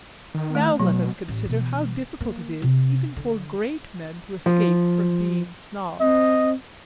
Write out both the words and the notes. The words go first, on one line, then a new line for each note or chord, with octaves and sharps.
Now let us consider how difficult it is even for great men to escape from being Snobs.
D#3
A3
B2 F#3
A1
B2 E3
A#3
C3
D3
F3
C4 D#5